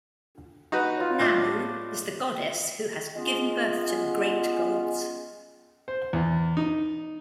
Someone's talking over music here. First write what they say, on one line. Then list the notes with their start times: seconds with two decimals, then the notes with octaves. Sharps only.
Nammu is the goddess who "has given birth to the great gods".
0.72 D#4 F#4 B4
0.96 F4 C#5
1.20 A2 D4 D#5
3.16 G#3 B3 C#4 F4
5.88 C5
6.13 E2
6.57 D#4